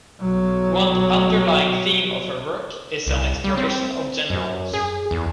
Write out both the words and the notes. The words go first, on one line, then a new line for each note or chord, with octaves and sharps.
One underlying theme of her work is an exploration of gender roles.
B1 F#3
C2
G3
C4
F#2
G#4
E2